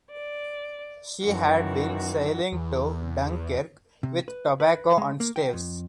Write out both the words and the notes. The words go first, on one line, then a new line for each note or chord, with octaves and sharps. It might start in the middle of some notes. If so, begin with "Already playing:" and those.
She had been sailing to Dunkirk with tobacco and staves.
D5
F#2 D#3 E3 F#4
E2
C3
B4
B4
G#3
A#3
G5
F2